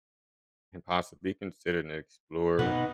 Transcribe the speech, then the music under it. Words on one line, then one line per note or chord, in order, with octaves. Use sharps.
can possibly considered an explorer,
B2 B3 D#4 B4 F#5